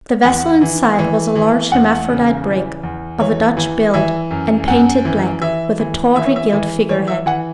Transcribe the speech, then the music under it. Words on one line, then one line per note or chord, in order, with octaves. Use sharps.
The vessel in sight was a large hermaphrodite brig, of a Dutch build, and painted black, with a tawdry gilt figure-head.
E2 F#5
E3
E3
E3
E2 F#5
C#3
E3
E2
E3 C#5
E3
E3 E5
F#2
F#2 F#5
E3
E3 E5
E3
E3 E5
C#5
E5
E3
E3 C#5
E5
E3 F#5